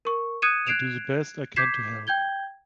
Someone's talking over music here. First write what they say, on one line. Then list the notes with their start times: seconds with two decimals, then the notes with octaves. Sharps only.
I do the best I can to help.
0.05 A#4 C#6
0.42 D#6 F#6 G#6 C#7 D#7 E7
0.67 F#6 G#6 C7 D7 E7 F7
1.56 D6 G6 G#6 B6 C7 E7
2.07 G5 G6 G#6 G7